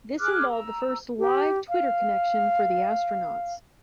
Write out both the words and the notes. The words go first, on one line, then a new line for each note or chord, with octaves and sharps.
This involved the first "live" Twitter connection for the astronauts.
G#4 D6 F6 F#6
A#5 E6
G4
F5